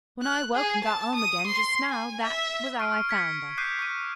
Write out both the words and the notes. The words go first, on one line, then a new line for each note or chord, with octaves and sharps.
When I woke, and got home again just now, that was how I found her.
F#6
G#4
A5
D#6
C6
G#5
E5
C#6 F6 C7 D7 D#7
G#6 B6 C#7 D7
D6 D#6 F#6 G6 C7 D#7
C#6 C7 D#7